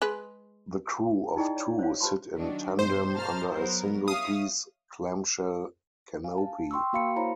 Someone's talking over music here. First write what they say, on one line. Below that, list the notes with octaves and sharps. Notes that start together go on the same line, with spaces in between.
The crew of two sit in tandem under a single-piece clamshell canopy.
G#3 B4
D#4 E4 G#4 D5 D#5 G5
C#5 D5
C5 C#5 F5
G4 B4 C5 A5 B5 C6
D#3 F#3 D4
G2 B2 C5
A5 A#5 F6
F#3 B3 A#4
C#5 E5 F5 D#6
F5 G#5
A5
G5 C6 C#6 E6
A#3 F#4 F5 B5 C#7
E4 C5 C#5 A#5 B5